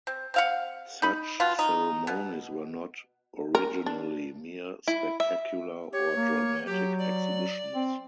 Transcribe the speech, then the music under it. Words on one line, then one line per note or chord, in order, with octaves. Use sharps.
Such ceremonies were not originally mere spectacular or dramatic exhibitions.
C4
C4 F5 F#5
D#4 B5
B2 F4
D#4
B2
A#4
D4
E4
E5
G4 C#5
A#3
F#3 G4
D5
C4